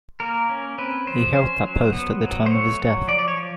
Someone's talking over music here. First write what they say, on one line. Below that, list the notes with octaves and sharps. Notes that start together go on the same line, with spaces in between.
He held that post at the time of his death.
A#3 A#4
C#4
C4 B4
F3 C5
C#4 C5
F#3
B3
F#3
C5
A3 C#5
F#3
F3 D5
D5
C#5
F3